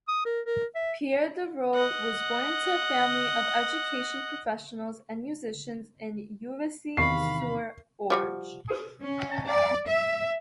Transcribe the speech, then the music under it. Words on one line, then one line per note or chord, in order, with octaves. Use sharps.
Pierre Dervaux was born to a family of education professionals and musicians in Juvisy-sur-Orge.
D#6
A#4
A#4
E5
D#5 F#5
E2 C3 D#3 F5 B5 C#6 C7
F3 G3 F#4
C#4
D5
E5